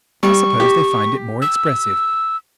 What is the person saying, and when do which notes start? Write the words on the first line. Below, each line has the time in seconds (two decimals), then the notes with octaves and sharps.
I suppose they find it more expressive.
0.23 G3 C#6
0.60 G4
1.42 E6